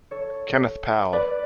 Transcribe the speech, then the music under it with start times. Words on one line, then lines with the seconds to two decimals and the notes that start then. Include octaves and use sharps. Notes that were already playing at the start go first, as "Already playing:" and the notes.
Kenneth Powell.
0.11 A4 C#5
1.13 B4 D5